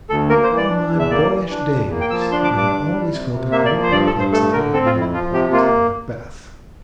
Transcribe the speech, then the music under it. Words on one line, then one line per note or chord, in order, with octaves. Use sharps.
From my boyish days I had always felt a great perplexity on one point in Macbeth.
D2 A4
A#3 A#4
C5
E3
D5
D4
E2
E5
A#3 D5
E3
D4
E2
A#3
G5
F3 E6
A5
D4 C6
D6
G2
D6
D4
G3
C3
C3
A#3 E5
D5
F3
C5
G2 D5
A4
G2
C5
A3 A4
D3 A#4
C4 A4
F4
F2
E4
F3 F4
C3 G4
A#3 F4